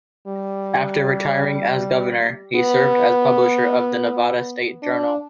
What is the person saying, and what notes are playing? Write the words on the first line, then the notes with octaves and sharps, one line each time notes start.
After retiring as governor, he served as publisher of the Nevada State Journal.
G3
B3
D4